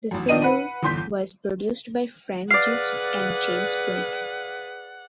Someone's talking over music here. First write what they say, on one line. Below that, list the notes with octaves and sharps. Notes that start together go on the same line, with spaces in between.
The single was produced by Frank Dukes and James Blake.
A1 F#2
A#1 D#3 D4 D#5 D#7
B4 F#5 B5
G1 E2 C6 G6 B6
G#4 B4 D5 F5 F#5 C7